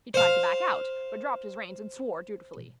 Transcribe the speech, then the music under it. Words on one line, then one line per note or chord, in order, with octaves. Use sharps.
He tried to back out, but dropped his reins and swore dutifully.
C5 F5